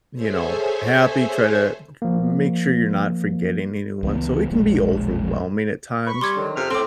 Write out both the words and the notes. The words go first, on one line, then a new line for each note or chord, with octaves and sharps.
you know, happy. Try to make sure you're not forgetting anyone. So, it can be overwhelming at times.
G#4 A4 C5 C#5 E5 G#5
F3 A#3
C#2 E3 B3
E1 A#1 G#3
B5 C#6
G3 C6 D6 G#6
D3 D#3 F#3
F2 C3 F6
A2 C4 C6 D6